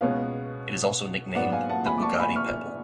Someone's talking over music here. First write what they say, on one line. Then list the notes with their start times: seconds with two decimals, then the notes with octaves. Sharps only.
It is also nicknamed the Bugatti Pebble.
0.01 C#2 B2 G#3 B3 C#5 F5
1.35 G#2 F#3 B3 D5 F#5
1.52 F5 G#5
1.69 F#5 A5
1.86 G#5 B5
1.98 D6
2.02 A5 C#6
2.20 G#5 B5
2.36 C#6 F6